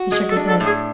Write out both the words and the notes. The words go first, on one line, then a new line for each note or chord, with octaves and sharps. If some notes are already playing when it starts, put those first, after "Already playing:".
He shook his head.
Already playing: F#4
G#3 G#4
A4
D4
A4
A2
G#4